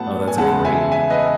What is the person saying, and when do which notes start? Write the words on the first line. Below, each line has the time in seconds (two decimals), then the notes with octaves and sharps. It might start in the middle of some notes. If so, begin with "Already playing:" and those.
Oh, that's a great
Already playing: A2 F#3 B3 F#5 A5
0.28 G#5
0.37 E2 C#3 G#3 B3 F#5 A5
0.65 E5 G#5
0.92 E5 G#5
1.10 B4 D#5